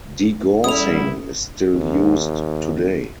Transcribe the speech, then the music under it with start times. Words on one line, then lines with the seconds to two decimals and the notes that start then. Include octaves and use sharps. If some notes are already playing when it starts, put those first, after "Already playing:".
Degaussing is still used today.
0.64 E2 G3 C#4 E4 A4 D#6 F7
1.73 D#2